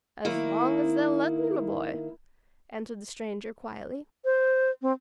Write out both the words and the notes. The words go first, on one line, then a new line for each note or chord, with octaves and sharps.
"As long as they'll let me, my boy," answered the stranger quietly.
D#3 A#3 E4
C5
C4